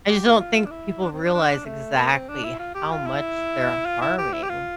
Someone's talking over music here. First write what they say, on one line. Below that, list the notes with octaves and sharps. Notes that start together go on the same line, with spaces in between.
I just don't think people realize exactly how much they're harming
G4
E4
F4
D4
E4
D4
C4
D4
D4
A3
A#3
C4
D4
E4
F4
G4
F4
E4
F4
E4
G4
E4
G4
F4